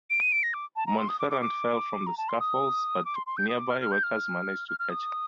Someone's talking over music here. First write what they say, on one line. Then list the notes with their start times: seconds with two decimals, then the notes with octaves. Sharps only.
Montferrand fell from the scaffolds, but nearby workers managed to catch him.
0.10 D7
0.21 D#7
0.32 D7
0.43 A#6
0.54 D6
0.76 A5
0.87 A#5
0.98 C6
1.09 D#6
1.19 D6
1.30 D6
1.41 D6
2.06 A#5
2.17 A5
2.28 C6
2.40 D#6
3.05 D6
3.16 C6
3.26 C6
3.37 G6
3.49 D#6
3.59 D6
3.70 F6
3.81 F6
3.92 G6
4.03 F6
4.68 F6
4.79 F6
4.90 D#6